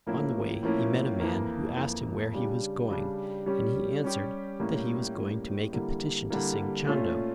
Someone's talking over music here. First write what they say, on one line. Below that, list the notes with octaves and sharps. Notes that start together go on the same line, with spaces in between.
On the way he met a man who asked him where he was going and he answered that he was going to make a petition to Singh Chando.
A2 F3 A#3 C#4 E4
A2 F3 A#3 C#4 E4
F2 E3 A#3
F2 E3 A#3
C#3 G3 D4 G4
C#3 G3 D4 G4
G3 C#4 G4
G3 C#4 G4
A2 G3 A#3 C#4
A2 G3 A#3 C#4
D3 G3 A#3 E4
D3 G3 A#3 E4
A#2 A3 C#4 F4